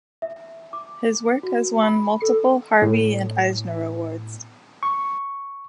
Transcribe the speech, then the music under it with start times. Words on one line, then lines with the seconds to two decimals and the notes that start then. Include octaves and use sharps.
His work has won multiple Harvey and Eisner Awards.
0.22 E5
0.73 D6
1.43 F#4
1.83 B5
2.22 A4
2.82 A2
4.83 C#6